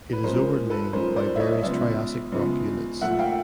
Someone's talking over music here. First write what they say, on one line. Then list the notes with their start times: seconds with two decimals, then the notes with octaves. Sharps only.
It is overlain by various Triassic rock units.
0.13 B4
0.24 F3 G#3 C#4 A#4 C5
0.70 A4 B4
0.93 F3 G#3 C#4 A#4 C5
1.16 C5 D5
1.36 E5
1.40 C#5 D#5
1.63 C#3 F3 G#3 B3 D5 E5
2.32 C#3 F3 G#3 B3
3.01 A#2 F3 A3 E5 F#5
3.19 F5 G5